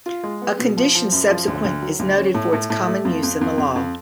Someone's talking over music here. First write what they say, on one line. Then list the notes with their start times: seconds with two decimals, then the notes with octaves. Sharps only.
A condition subsequent is noted for its common use in the law.
0.06 F4
0.24 G#3
0.42 B3
0.59 B2
0.77 F3
0.95 F3
1.12 F#2
1.30 F3
1.47 D2
1.64 D2
1.82 F#3
1.99 D2
2.18 C#4
2.35 A2
2.53 A2
2.70 A2
2.88 A3
3.05 F2
3.23 F2
3.41 F2
3.58 F2
3.76 F2